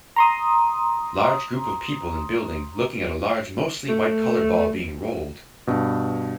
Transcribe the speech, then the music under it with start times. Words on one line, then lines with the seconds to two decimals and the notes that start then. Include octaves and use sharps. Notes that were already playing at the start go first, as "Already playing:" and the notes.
Large group of people in a building looking at a large mostly white color ball being rolled.
0.16 A#5 C6 D#6
3.88 A3
5.67 G2 B2